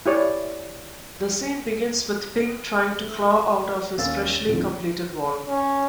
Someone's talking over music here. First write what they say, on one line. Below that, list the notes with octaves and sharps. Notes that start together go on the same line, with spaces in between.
The scene begins with Pink trying to claw out of his freshly completed wall.
E4 G4 C#5 D5
A3
D#2 A#3 C#4 F5 E6 A6
D#2 A2 D3 F3 C4
C#4